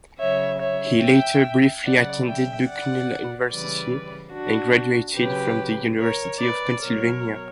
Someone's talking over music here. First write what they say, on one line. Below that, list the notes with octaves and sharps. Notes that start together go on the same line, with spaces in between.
He later briefly attended Bucknell University and graduated from the University of Pennsylvania.
C#3 F#3 C#5 E5
C#5 E5
E5 G5
C#3 F#3 D5 F#5
E5 G5
D5 F#5
C#3 E3 G3 B4 D5
D4 F#4
C#3 F#3 G4 B4
A#4 C#5
B4 D5
B2 F#3 A#4 C#5